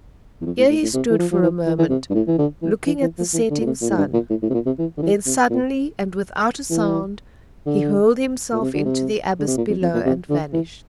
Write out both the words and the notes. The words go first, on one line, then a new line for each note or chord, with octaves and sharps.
Here he stood for a moment looking at the setting sun, then suddenly, and without a sound, he hurled himself into the abyss below and vanished.
E2
F2
A2
A2
A2
C3
E3
F3
F3
E3
E3
E3
C3
G2
A2
E3
D3
E3
E3
E3
F3
E3
D3
A#2
C3
A#2
A2
G2
A#2
A2
A2
C3
A#2
C3
E3
D3
E3
C3
A#2
E3
D3
A#2
C3
D3
C3
D3
C3
A#2
F2
F2
A#2
C3
D3
E3